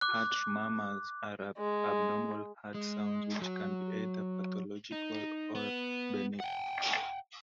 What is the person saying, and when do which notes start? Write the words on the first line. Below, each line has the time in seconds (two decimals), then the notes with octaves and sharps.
Heart murmurs are abnormal heart sounds which can be either pathological or benign.
0.01 D6 F#6
1.58 G#3
2.74 G#3
3.41 F#3
4.92 D#4
5.55 B3
6.40 F#5 G5